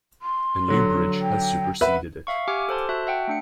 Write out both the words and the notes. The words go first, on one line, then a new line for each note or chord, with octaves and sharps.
A new bridge has superseded it.
C6
D3 F#3
G5
B4 E5 F#5 B5
E5 F5 C#6
G4 F#5 G#5 D6 F6
A4 C5 A5 C6
F#4 E5 A5 F#6
E5 F#5 G5
A3 D4 C#7